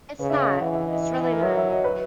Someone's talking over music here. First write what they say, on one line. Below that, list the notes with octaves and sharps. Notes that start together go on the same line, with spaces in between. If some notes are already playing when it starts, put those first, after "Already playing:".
It's not. It's really not.
C#3 B4
E5
D#5
E5
E3 F#5
E5
D#5
E5
D#5
E5
A#4
F#3 E5
E5
D#5
B4